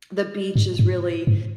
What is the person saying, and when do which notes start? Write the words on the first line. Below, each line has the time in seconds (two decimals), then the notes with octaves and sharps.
the beach is really,
0.56 G#2
0.79 G#2
1.27 G#2